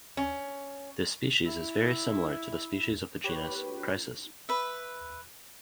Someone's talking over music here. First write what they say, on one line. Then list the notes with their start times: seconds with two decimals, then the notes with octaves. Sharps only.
This species is very similar to the species of the genus Chrysis.
0.17 C#4
1.46 E4
3.24 G4 B4 C#5
4.49 B4 E5